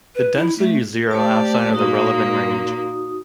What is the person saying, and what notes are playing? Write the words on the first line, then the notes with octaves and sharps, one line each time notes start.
The density is zero outside of the relevant range.
B4
E4
A3
A3 G4 C5 D5 A5
A#2 A#3 D#4 F#4 D#6